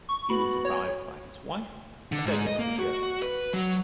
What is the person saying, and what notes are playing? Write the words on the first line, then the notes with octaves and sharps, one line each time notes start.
He was survived by his wife and their daughter Joan.
C#6
B3 F#4 B5
C#5
D3
G#2
D#5
A#3
F#4
B4
F#3